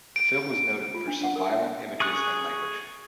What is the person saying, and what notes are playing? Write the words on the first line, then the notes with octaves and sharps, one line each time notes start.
The film was noted for "some violent images and language".
D7
F4
D4
F#5
A#4
E5
G#4 C#6 F#6